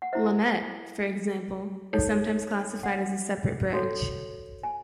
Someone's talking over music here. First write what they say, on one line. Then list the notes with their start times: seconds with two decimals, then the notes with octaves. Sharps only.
Lamet, for example, is sometimes classified as a separate branch.
0.02 F#5
0.13 E4 C5 E5
1.93 D#4 A4 C#5
2.83 F#5
3.74 F#4 A4 C#5
4.63 G#5